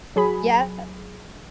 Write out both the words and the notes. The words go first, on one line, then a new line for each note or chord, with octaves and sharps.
Yeah, uh
F#3 G#4 B5